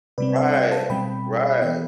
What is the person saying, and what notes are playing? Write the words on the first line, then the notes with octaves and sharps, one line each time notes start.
Right, right.
C3 G3 C4 B4 D5
C5 E5
E5 G5
F5 A5
B2 G3 C4 G5 B5
E3 B3 G5 B5